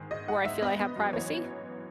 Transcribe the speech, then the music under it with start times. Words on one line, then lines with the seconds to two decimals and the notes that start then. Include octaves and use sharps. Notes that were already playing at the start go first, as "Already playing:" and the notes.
where I feel I have privacy.
Already playing: G#2 D#3 G#3
0.11 G#2 D#5
0.28 G#2 F#5
0.45 G#2 E5
0.62 B3 D#5
0.79 B3
0.96 F#2
1.13 E3 C#5